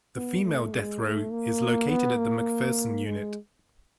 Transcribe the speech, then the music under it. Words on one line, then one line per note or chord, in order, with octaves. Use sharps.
The female death row is located at the McPherson Unit.
B3
A3
G#3
A3
A#3
B3
A#3
G#3